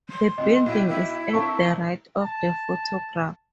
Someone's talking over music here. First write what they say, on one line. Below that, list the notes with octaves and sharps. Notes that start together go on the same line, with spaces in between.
The building is at the right of the photograph.
C6
C2 F2 D#5
B1 E4 G5
E4
A#3 C4 D4 A5 C#6
A5